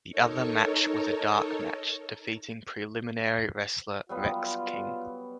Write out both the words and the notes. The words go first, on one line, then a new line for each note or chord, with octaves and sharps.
The other match was a dark match, defeating preliminary wrestler, Rex King.
D#4 A4 A#4 C#5
F#3 G3 B3 F4